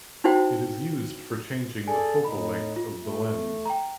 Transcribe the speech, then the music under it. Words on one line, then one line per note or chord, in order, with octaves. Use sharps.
It is used for changing the focal length of the lens.
D#4 E4 F#4 C5 G5
G#4 A4 D5 G#5
A2 D#4 B5
F4
A3
G5 A#5